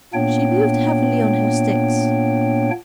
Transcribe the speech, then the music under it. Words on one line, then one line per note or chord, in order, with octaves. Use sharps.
She moved heavily on her sticks.
A#2 A#3 B3 D4 C#5 G5